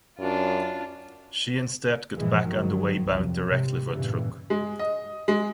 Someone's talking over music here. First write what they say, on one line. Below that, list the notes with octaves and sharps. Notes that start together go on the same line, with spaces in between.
She instead got back underway bound directly for Truk.
F#2 D4 F4
G1 A#2 E3 F3 G#3
G1 G#2 D#3 F3 F#3
C2 F2
C2 G#2 C3
G2 A#2 C#3 E3 G3
G#3
D#5
G#3